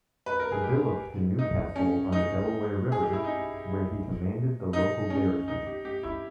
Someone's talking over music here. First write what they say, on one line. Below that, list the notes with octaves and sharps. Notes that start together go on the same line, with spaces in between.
Billopp to New Castle on the Delaware River, where he commanded the local garrison.
B4
A#4
G#4
G4
D#4
C#4
D#4
G#4
G4
E4
D#4
D#4
C#4
D#4
G4
G4
E4